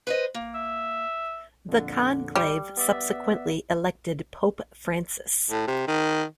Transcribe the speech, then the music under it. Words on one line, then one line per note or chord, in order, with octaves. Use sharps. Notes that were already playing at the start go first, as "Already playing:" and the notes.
The conclave subsequently elected Pope Francis.
B4 C5 D#5
A#3
E5
F2 A#2 D3
G3
B3 D5 E5
A2
C3
D#3